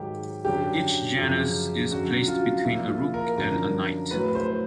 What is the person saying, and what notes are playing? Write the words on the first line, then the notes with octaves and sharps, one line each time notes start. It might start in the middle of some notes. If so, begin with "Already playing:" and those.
Each janus is placed between a rook and a knight.
Already playing: G#2 D#3 F#3 G4
F#2 D3 F#3 G4
F#2 C#3 F3
F#2 D3 F#3 F#4
F4
A#2 F3 E4
F4
A#4
F#2 D3 F3 A#4
A2 F#3 B4
C5